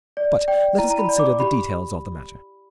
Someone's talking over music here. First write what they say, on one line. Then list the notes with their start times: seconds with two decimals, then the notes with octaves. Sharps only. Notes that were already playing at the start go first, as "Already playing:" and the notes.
But let us consider the details of the matter.
0.17 D5
0.48 D5 G5
0.78 E4 A#5
0.91 A#5
0.99 B5
1.09 D5
1.19 D6
1.40 G4 B5